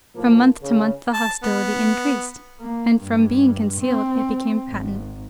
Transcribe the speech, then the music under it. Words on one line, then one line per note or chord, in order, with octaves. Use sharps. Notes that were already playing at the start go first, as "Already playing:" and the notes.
From month to month the hostility increased, and from being concealed it became patent.
A2 F3 A#3
C#3
A5
B3
A#3
G2
C4
G#1